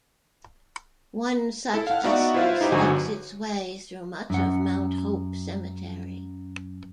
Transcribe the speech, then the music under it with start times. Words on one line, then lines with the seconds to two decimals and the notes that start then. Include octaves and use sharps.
One such esker snakes its way through much of Mount Hope Cemetery.
1.74 E4 A4
1.87 F5 F#5
2.04 B3 D#4 F#4 D5 E5 F#5
2.34 E4 F4 B4 C5 E5 F5
2.61 D#4 E4 G4 B4 C5
2.72 G1 D3 F#3 F#4 G#5
4.30 F#2 F#5